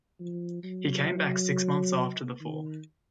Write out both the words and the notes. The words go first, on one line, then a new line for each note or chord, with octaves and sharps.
He came back six months after the fall.
F3
F#3
D#3